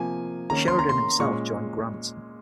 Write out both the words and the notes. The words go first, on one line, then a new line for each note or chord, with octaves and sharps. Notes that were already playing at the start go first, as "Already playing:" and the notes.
Sheridan himself joined Grant.
Already playing: C3 F3 A#3 G#5
D#3 A#3 C#4 A#5
C6
A#5
C6
A#2 G#3 C#4 C#6